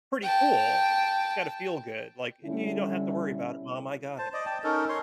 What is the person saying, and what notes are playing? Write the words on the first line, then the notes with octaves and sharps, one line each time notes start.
pretty cool. It's gotta feel good. Like, "And you don't have to worry about it, mom. I got it."
G5 A5
D3 G3 C#4 E4
C5 A5
D5 D#5
G5 A5
C#4 D#4 A4 A#4
C#5 C6